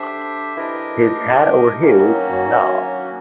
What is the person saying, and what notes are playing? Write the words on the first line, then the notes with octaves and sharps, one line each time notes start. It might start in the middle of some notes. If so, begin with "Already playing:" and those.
He’s head over heels in love.
Already playing: D3 D4 G4 C5 E5
E3 D4 G4 A#4 D#5
D#3 A#3 C#4 F#4
D#3
F#3
F#3